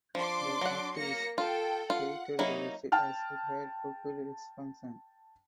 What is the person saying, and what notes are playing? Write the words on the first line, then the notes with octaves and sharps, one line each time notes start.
The activist deleted the website as it had fulfilled its function.
F3 D4 C6 D6
F#3 F#5
A#3 A#6 C#7
F4 A4 G5
F4 F#5
F#3 A#3 D#4 E4
G5 A5 F6